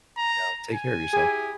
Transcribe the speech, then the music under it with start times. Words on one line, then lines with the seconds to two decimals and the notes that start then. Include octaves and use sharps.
You know, take care of yourself.
0.18 A#5
0.74 G#5
1.14 E4 G4 G#4